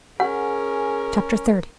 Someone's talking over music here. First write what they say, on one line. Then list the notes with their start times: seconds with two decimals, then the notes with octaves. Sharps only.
Chapter XXX.
0.20 C#4 G#4 A#4 F#5